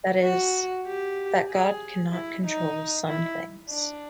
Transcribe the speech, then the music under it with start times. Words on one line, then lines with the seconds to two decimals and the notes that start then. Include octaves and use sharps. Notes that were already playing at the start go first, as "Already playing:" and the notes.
That is, that God cannot control some things.
0.24 F#4
0.87 G4
1.50 G#4
2.13 E4
2.45 D#4
3.08 E4
3.70 D4